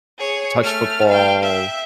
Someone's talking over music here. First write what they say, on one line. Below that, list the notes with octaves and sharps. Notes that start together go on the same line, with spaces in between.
touch football,
G#4 C#5
A3 F6
F5 G5
E5